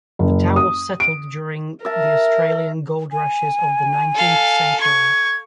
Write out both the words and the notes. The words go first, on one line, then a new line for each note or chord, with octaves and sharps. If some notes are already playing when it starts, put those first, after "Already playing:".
The town was settled during the Australian gold rushes of the nineteenth century.
F#1
D#6
D7
A#4 E5 A5
G#5
A4 F5
C#6 G#6